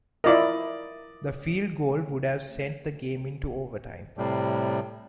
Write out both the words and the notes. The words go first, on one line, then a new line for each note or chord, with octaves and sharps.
The field goal would have sent the game into overtime.
E4 F4 A#4 D5 D#5
A2 C3 G3